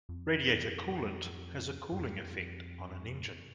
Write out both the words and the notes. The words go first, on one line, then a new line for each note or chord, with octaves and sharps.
Radiator coolant has a cooling effect on an Engine.
F2
G2
F2